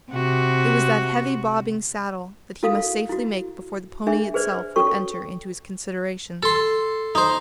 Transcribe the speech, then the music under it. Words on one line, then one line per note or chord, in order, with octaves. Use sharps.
It was that heavy bobbing saddle that he must safely make before the pony itself would enter into his considerations.
C3 F#4
E4 F#4 A4 F5 D#6
E4 F#4
D4 G#4 E5
G#4 B4 C5 D5
C#4 F#4 A4 C#5 C#6
A4 C6
D#4 C5